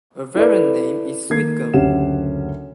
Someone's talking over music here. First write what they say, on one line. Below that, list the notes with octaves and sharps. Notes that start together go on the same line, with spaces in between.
A variant name is "Sweetgum".
E4 A4 B4 D5
D#3 A#3 G#6 C7
F#1 D2 C#4 G4 F#5 E7